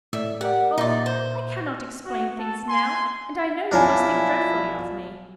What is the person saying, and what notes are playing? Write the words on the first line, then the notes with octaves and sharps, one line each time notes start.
"Oh, I cannot explain things now, and I know you must think dreadfully of me."
A2 D5 E5
G4 A#4 D5 F#5
A#2 D#4 D5 E5 C6
C5
F#4
F#4 A4
G#5 C6
B1 F3 D4 E4 F4 A#4 C#5 G#5